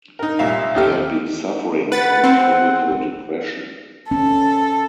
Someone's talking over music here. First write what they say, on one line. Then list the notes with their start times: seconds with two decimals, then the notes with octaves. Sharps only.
He had been suffering from clinical depression.
0.19 D#4 A#4
0.39 C2 A#2 E5 F5
0.75 D#2 D#4 G4 A4 F6
1.92 B4 F#5 A6
2.24 C4
4.11 C#4 A4